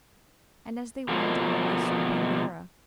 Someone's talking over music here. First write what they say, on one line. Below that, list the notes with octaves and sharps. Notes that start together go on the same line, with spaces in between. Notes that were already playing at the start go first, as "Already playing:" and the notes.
And as they went on they saw Pandora.
B2 D3 F3 A#3